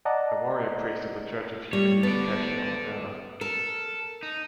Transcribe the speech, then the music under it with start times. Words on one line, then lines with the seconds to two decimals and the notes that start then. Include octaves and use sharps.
A Warrior Priest of the Church of Human Unification on Erna.
0.05 D5 D#5 F#5 A5 A#5
1.73 G3 C#5
2.03 B3 A4 D5
3.41 A4 A#4
4.23 D#4